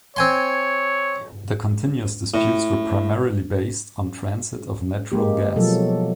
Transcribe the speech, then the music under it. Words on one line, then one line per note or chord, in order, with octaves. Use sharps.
The continuous disputes were primarily based on transit of natural gas.
C4 C#5 G#5 C6
A2
G#3 A#3 G4
B2 F3 F#3 A4